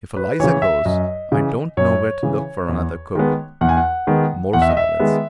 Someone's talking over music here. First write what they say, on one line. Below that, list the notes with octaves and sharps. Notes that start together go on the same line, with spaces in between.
"If Eliza goes, I don't know where to look for another cook." More silence.
B4
C#3 E3 C#5
E5
F#2 D#5
C#3 E3
F#2 C#5
C#3 E3
E2
D#3 G#3 B3
E2 F#5
G#5
F#5
D#3 G#3 B3
E2 F#5
E5
D#5
E5
D#3 G#3 B3